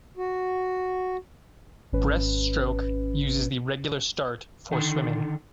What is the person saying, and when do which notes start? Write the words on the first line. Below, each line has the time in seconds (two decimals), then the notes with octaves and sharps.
Breaststroke uses the regular start for swimming.
0.17 F#4
1.92 G#1 C#4 B4
4.72 D3 D#3